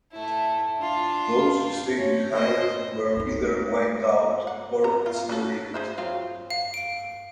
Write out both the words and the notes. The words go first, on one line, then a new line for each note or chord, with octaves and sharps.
Those who stayed behind were either wiped out or assimilated.
A3 E4
D4 F4
C#4
C5 D#5
G#3 D#4
F#5
A4 A#5
F4
C#4 F#4 A4
G#4 C5 E5
F#3 C4 F4
F5
D7